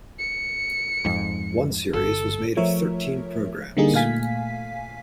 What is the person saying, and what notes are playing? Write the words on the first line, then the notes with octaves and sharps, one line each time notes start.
One series was made of thirteen programmes.
C#7
F2 G#2
G1 A4
F3 A3 A#4 C#5 E5
D3 G3 A#3 D#4 G#4
A#2 A3 F5 G#5 B6